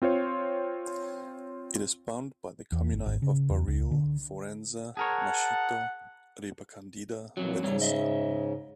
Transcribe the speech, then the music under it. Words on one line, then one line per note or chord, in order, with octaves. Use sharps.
It is bounded by the comuni of Barile, Forenza, Maschito, Ripacandida, Venosa.
C4 F4 C5 C#5
E2
G1
G#1
C#3
E2
C#2
D3
G#4 A#4 C#5 F#5 A5
F2 A#2 E3 F#3
G#2 C#3 G3 C#5
D#5 E5